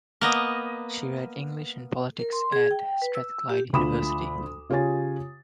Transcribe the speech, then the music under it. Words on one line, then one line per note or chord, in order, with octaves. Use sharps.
She read English and Politics at Strathclyde University.
A#3 B3 D#5
A#4
C6
G#4
G5
B4
E6
G4
D2 F4 B5 D6 D#6 E7
C#3 F4 G4 C#5 G#5 A6